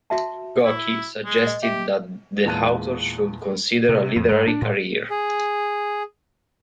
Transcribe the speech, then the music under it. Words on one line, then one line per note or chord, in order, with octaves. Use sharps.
Gorky suggested that the author should consider a literary career.
F#4 E5 A5
E4
G#3
D#5
G4 E5
E2 A#2 G#3 A5 F#6 D#7
C3
F2
G#2
D4
A2
G#4